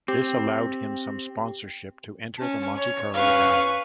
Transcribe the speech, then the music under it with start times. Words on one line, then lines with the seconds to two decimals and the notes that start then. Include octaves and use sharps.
This allowed him some sponsorship to enter the Monte Carlo Rally.
0.08 C4 G4
2.38 C#4 A5
2.76 C#5
3.14 C#4 B4 F5 C#6